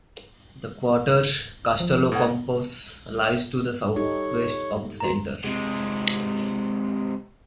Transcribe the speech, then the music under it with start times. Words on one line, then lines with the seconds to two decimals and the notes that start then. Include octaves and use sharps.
The quarter Kastellokampos lies to the southwest of the centre.
1.80 F3
2.12 A2 F#5
3.96 D#4 G4 A4 C#5
5.00 F#4 A#5
5.44 C3 G#3